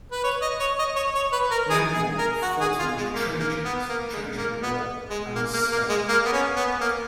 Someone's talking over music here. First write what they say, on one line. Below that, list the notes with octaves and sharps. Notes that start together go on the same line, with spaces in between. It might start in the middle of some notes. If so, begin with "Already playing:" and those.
Memnon fought among the Trojans in the Trojan War and was slain.
B4
C#5
D#5
C#5
D#5
C#5
C#5
B4
A#4
G#4
G#4
A#4
F#4
G#4
F4
G#3
A#3
A#3
B3
A#3
G#3
A#3
B3
G#3
A#3
A#3
A#3
G#3
A#3
B3
C#4
B3
A#3